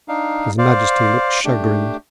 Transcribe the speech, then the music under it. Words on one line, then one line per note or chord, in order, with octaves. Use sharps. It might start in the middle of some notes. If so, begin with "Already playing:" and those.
His Majesty looked chagrined.
D4 D#4 F5
C5 D5 F5
A3 D4 G4